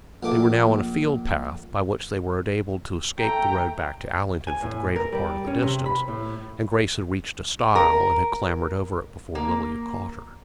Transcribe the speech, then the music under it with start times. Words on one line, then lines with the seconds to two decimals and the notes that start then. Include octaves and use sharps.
They were now on a field-path, by which they were enabled to escape the road back to Allington for the greater part of the distance, and Grace had reached a stile, and had clambered over it before Lily had caught her.
0.23 A#1 A#2 A3 D6
3.19 A3 G5 A#5
4.47 G#5
4.62 A2
4.96 A#4
5.12 G3
5.47 C#4
5.62 C3
5.86 B5
6.08 A2
7.75 A#4
9.35 A#3